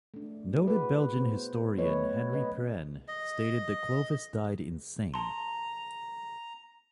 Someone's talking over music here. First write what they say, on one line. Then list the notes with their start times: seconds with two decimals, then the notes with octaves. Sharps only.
Noted Belgian historian Henri Pirenne stated that Clovis died insane.
0.14 A3 D4
0.54 E4 G#4 D5
0.68 F#4 B4
1.17 B3 C5
1.77 F#3 A3 B3 B4 C#5 D#5
2.31 C4 B4 D#5
3.08 D#5
5.14 A5 A#5 C6